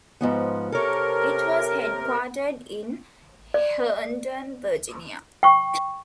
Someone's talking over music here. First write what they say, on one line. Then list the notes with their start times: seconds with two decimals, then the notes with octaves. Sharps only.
It was headquartered in Herndon, Virginia.
0.21 G#2 F3 B3
0.72 C3 A4 A#4 C#5
3.54 D5
5.43 G5 C#6